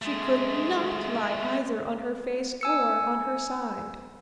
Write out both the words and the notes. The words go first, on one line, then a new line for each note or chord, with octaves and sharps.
She could not lie either on her face or on her side.
G#3 A3
G#5 E6 C#7